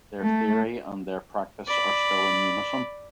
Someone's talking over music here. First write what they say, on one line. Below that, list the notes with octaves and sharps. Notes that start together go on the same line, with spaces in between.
Their theory and their practice are still in unison.
A3
D5 B5